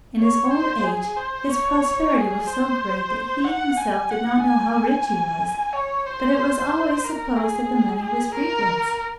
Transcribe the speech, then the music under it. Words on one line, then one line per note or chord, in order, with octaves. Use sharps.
In his old age his prosperity was so great that he himself did not know how rich he was; but it was always supposed that the money was Friedlin's.
C#5
C5
G#4
C5
C#5
G#4
C5
F#5
G#5
F#5
G#5
C#5
C5
A#4
G#4
G#4
A#4